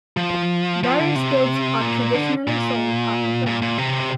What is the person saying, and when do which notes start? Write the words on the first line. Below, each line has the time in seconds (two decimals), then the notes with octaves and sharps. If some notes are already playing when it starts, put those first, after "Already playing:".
Various goods are traditionally sold at the fair.
0.17 F3
0.83 F3
1.00 D3
1.16 C3
1.81 A#2
2.14 D3
2.47 A#2
3.46 A#2
3.62 A#2
3.78 C3